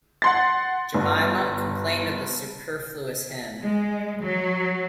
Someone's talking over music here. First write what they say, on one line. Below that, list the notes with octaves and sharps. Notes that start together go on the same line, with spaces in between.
Jemima complained of the superfluous hen.
F#5 C6 A6
G1
G#3
F#3